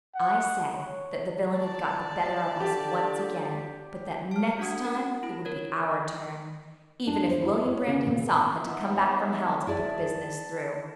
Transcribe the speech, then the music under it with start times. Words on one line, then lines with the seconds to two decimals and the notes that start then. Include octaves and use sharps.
"I said that the villain had got the better of us once again, but that next time it would be our turn, even if William Brand himself had to come back from hell to put the business through."
0.15 F#5
0.77 C#5
1.53 D5 A5
2.60 D3 G4
4.31 A5 F6
4.59 A3 D4 F#4 F#5 D#6 G#6
4.84 A#4 F#5 A#5
5.23 E4 B5
5.45 A#4 C#5 G#6
7.07 D4
7.26 C5
7.42 E4
7.65 C#5
7.87 C#3
8.07 A#2
8.66 B3 D#4 E5
8.96 C#5
9.67 E4 G#4 D5 A5